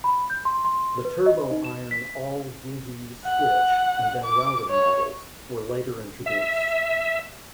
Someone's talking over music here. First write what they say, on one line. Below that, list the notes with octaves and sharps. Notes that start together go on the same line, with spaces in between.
The TurboIron all GigE switch and then router models were later introduced.
B5
G6
C6
C6
B4
D#5
D#4
E7
B6
F#5
D6
C#5
E5